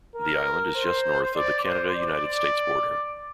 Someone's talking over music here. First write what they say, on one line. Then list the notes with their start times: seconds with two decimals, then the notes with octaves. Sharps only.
The island is just north of the Canada-United States border.
0.15 A#4
0.75 C5
1.35 D5
1.64 C5
1.94 D5